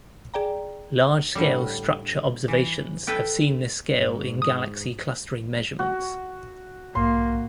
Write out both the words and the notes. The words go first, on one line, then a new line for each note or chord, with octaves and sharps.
Large-scale structure observations have seen this scale in galaxy clustering measurements.
G#4 D5 G5 A#5
A2 D3 G3
E3
A4 B4 G5
G#2
D#6
F#4
B1 G#2 A#3 C6